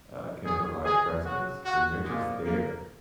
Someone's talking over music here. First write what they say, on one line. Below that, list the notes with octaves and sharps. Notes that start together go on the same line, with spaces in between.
uh, can provide presence and they're just there,
B2 F#3 G#4
G#4
C#3 F#3 F#4
F#4
A#2 F3 G#3
A#3